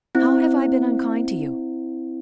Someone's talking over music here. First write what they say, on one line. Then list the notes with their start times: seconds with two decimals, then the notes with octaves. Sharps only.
"How have I been unkind to you?"
0.15 C4 E4